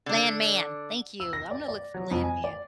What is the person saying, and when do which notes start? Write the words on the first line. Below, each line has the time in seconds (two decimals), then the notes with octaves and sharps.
Landman. Thank you. I'm gonna look for Landman.
0.06 D3 D4
1.20 E6
1.33 A#6
1.51 D5
1.68 D5
1.94 F#3
2.11 F2
2.23 G#5
2.44 D5